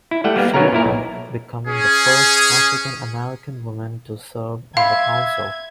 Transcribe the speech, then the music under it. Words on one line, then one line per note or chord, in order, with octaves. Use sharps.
She won, becoming the first African American woman to serve on the Council.
E4
G3 A3 F#5 G5
G3 A#3 B3
B2 F#3 B3 C#4 A#4 A#5
A#2 E4 A#4
B1
C#4 G#4
E5 F5 B5 C6 G#6